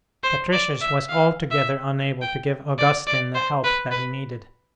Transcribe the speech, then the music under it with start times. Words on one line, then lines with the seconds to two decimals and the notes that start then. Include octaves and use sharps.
Patricius was altogether unable to give Augustine the help that he needed.
0.23 C5
0.52 D5
0.81 E5
1.09 F5
1.51 E5
2.21 G5
2.78 D5
3.07 D5
3.35 C5
3.64 B4
3.91 B4